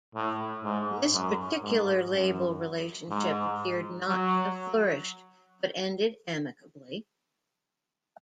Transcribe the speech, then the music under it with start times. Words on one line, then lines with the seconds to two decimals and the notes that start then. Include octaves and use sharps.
This particular label relationship appeared not to have flourished, but ended amicably.
0.15 A2
0.64 G#2
1.13 F#2
1.62 G#2
2.12 F#2
3.10 G#2
4.08 F#3